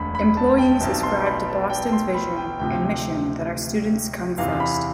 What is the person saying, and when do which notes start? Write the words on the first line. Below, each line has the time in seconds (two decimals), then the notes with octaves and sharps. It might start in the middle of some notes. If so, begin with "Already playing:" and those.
Employees ascribe to Boston's vision and mission that our students come first.
Already playing: E1 D2 D3 B5
0.15 B5
0.37 A5
0.59 G5
0.81 B1 B2 A5
1.03 C6
1.26 B5
1.49 A5
1.70 G5
1.93 C6
2.15 B5
2.37 G5
2.59 D2 C3 F3 G5
4.38 E2 C3 E3 F5
4.60 B5